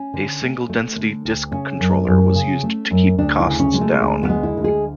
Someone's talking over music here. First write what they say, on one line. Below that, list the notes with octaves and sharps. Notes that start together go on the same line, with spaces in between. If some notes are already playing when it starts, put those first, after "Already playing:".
A single-density disk controller was used to keep costs down.
Already playing: C#4
D3
A3
A3
D3
D2
C#3 C#4
F#2
F#2
C#3
A3
F#2
D2 D4
E4
C#3
C#4
G#3
A3
D2
B3
G#3
E4
D2
G#4